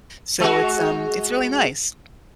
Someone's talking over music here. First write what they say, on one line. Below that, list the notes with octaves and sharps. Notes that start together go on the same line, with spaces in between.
So it's, um it's really nice,
G#3 F#4